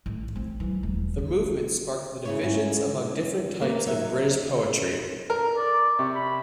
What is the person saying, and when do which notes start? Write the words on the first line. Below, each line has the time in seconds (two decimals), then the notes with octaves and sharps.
The Movement sparked the divisions among different types of British poetry.
0.06 A1
0.36 C4
0.60 E3 F#3
0.83 D#1
1.18 D3
2.25 C#3 E4 C#5
2.41 G#2 C#4 E4
3.61 A#3 C4
3.86 F#3 D#4 E5
5.30 A#4
5.57 D5
5.99 C3 C#6
6.15 B5